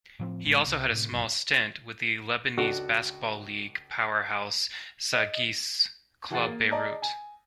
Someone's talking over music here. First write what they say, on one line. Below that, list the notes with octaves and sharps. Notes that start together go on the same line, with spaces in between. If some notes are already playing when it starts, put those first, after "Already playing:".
He also had a small stint with Lebanese Basketball League powerhouse Sagesse Club Beirut.
A2 F3 C4
G#1 A2 G#3
C2
A2 C3
D1 B1 F#2
C#2 D4 F#4 A4 F#5
D#5
E3 F#4 G#4 F#5 A6
A#3
G#4 D5 D#5 A5 A#5
G#5